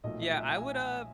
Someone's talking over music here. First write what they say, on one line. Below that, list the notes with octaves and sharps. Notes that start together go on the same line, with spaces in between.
Yeah, I would, uh,
B1 A#2 F3 A3 D#5
E5
E5
G#5
G#5